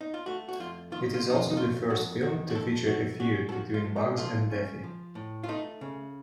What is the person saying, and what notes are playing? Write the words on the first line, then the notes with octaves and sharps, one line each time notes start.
It is also the first film to feature a feud between Bugs and Daffy.
D#4
F4
A3 F#4
F#4
F2 F4
D#3 F4
F4
F2
D#4
F4
D#4
A3 F4
F2 F#4
D#3 F#4
F#4
F2 A4
A3 F#4
C#4 F#4
A4
F3 F#4
F4
A2
D#4
A3 F4
C#4
F3
A2
F4
A3 D#4
C#3